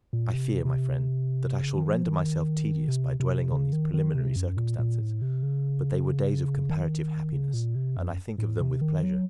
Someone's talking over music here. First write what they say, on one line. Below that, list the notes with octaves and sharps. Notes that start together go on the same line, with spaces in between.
I fear, my friend, that I shall render myself tedious by dwelling on these preliminary circumstances; but they were days of comparative happiness, and I think of them with pleasure.
A#2
C3
C3
C#3
D#3
F3
D#3
C3
C3
C#3
D#3
D#3
C3
F#2
A#2
A#2
A2
C3
C#3
D#3
C#3
A#2
C3
F#2
A2
C3
D#3
F#3